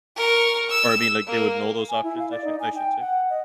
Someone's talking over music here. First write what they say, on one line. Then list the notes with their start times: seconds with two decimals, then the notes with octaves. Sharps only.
or I mean, like, they would know those options I should I should say.
0.16 A#4 C#6
0.70 E6
1.27 A#3
1.89 G#5
2.03 E4
2.19 F5
2.31 D5
2.45 D#4
2.60 G#5
2.75 G5
3.00 F#5
3.30 D#5